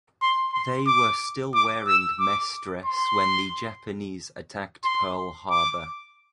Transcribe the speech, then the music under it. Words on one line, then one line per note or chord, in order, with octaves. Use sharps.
They were still wearing mess dress when the Japanese attacked Pearl Harbor.
C6
C6
D6
D6
E6
D6
C6
C6
D6